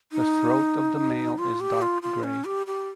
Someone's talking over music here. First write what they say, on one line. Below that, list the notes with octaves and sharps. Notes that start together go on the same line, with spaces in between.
The throat of the male is dark grey.
D#4
F4
G4
F4
F4
C#4
G4
G4